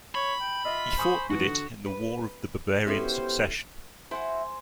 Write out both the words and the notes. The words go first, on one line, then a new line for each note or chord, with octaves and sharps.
He fought with it in the War of the Bavarian Succession.
C#5 B5
G5
F4 D#5 E5
C5 G#5 C#6 D#6
G#2 E3 F#4
D3
B4
B3 C#4 E4 F#4 G4 A4 C5
E4 F#4 C5 G#5